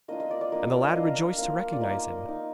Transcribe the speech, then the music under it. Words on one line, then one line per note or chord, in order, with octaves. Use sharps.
And the lad rejoiced to recognise him.
A#3 D4 F4 D#5
D#5
D5
D5
A#3 D4 F4 D#5
D5
D5
D#5
A#3 D4 F4 F5
A#3 D4 F4
D5
A#3 D#4 D#5
A#3 D#4